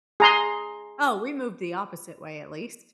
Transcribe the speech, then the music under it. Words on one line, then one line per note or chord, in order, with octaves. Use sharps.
Oh, we moved the opposite way at least.
G#4 A#5 C6